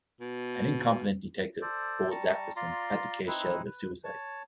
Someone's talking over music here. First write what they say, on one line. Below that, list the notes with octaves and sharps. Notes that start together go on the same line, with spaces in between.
An incompetent detective, Bo Zachrisson, had the case shelved as suicide.
B2
A4 C5 D5
G3 A5 A#5 C#6
F4 D5 A#5 C6
C4 D#4 E4 B4
B4
C#5 A5